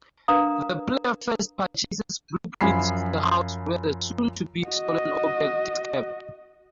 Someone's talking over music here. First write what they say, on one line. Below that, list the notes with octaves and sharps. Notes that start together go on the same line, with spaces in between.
The player first purchases blueprints of the house where the soon-to-be-stolen object is kept.
D4 A#4 B4 F5 A#5 D#6
F#2 F3 F4 G#5 B5 C7
F#4 D#5